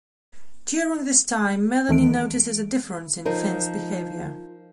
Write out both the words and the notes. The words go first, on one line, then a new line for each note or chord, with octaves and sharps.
During this time, Melanie notices a difference in Finn's behaviour.
D#2 E3 A3 D7
F3 D#4 A#4